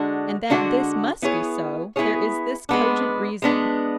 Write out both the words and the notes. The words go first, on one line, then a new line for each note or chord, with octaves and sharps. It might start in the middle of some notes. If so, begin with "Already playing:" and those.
And that this must be so, there is this cogent reason.
Already playing: D3 G#3 D4 F#4
D3 G#3 D4 F#4
B3 E4 G#4 C#5
B3 E4 G#4 C#5
G#3 B3 D4
G#3 B3 D4